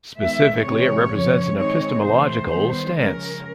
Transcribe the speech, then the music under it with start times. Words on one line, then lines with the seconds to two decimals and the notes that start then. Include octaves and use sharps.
Specifically, it represents an epistemological stance.
0.17 D#3 G#3 B3 E5
0.64 C3 E3 G#3 C#5
1.11 F2 C#3 F3
1.57 D#3 G#3 C4 D#4 C#5
2.04 C3 E3 A3 C5
2.51 D#3 G3 B3
2.97 C#3 F3 G#3 C#4 A#4